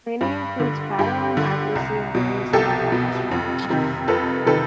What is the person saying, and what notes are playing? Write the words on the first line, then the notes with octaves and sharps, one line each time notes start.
Training includes firearm accuracy and various other weapons training.
G2
D3
G2 G4
D3
C2
B2
C2 G4 A4
B2
F2
C3 D#3
F2 A4 B4
C3 D#3 A4 B4